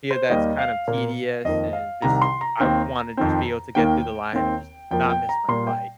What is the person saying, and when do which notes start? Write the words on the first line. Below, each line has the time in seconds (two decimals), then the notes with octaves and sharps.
yeah, that's kind of tedious and just I wanna just be able to get through the line and just not miss my flight.
0.11 C5
0.30 D#2 D#3 G3 A#3 D#5
0.59 F5
0.88 A#2 A#3
1.45 F2 D#3 A#3 D#5
1.73 F5
2.02 C2 C3 D#3 A#5
2.22 C6
2.41 A#5
2.60 D#2 D#3 C4
3.17 F2 D#3 C4
3.75 D#2 D#3 A#3 G5
4.33 D#2 D#3 C4
4.91 F2 F3 A#3 G5
5.10 G5
5.29 A#5
5.48 A#2 G3 A#3 C6
5.67 G5